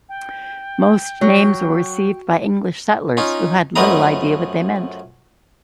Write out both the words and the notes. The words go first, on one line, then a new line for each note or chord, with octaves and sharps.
Most names were received by English settlers who had little idea what they meant.
G5
F#3
C#4 D#4 F4
F#2 F3 A3 B4 D#5 A#5